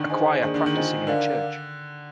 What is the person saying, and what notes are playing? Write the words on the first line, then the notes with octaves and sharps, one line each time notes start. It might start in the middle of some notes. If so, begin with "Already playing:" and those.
A choir practicing in a church.
Already playing: D3 D#3
D#4 G#4 C5 D#5 G#5
D#3 A#3 D4 G#4 D5
D3
D#3
F4 C5 D#5 G#5
D3 D#4 A#4 D5 F5